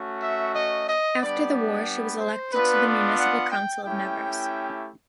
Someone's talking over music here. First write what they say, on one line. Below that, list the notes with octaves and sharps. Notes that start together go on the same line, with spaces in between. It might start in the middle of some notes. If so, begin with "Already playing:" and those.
After the war she was elected to the municipal council of Nevers.
Already playing: A3 C#4 F#4
E5
D#5
D#5
G3 B3 D4 D5
D5
C5
B3 D4 F4 B4
D5
F#5
G5
A3 C#4 E4 G4 G5